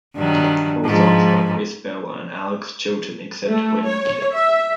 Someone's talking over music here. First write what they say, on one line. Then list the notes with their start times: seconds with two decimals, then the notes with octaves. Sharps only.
All songs by Chris Bell and Alex Chilton, except where noted.
0.15 G2 D#3 F#3
0.85 G#2 F3
3.46 A3
3.87 C#5
4.33 E5